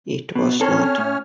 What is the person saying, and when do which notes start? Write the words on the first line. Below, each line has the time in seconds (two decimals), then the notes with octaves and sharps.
It was not.
0.35 B2
0.61 C4 C#4 A4 C#5 F6
0.98 A2